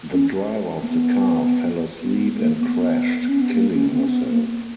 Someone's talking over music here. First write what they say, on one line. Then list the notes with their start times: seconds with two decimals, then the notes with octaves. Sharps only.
The driver of the car fell asleep and crashed, killing herself.
0.13 C#4
0.83 A#3
0.89 B3
2.02 B3
2.40 A#3
2.59 B3
3.29 C#4
3.41 B3
3.54 A#3
3.74 C#4
3.93 B3
4.00 C#4
4.07 B3
4.30 A#3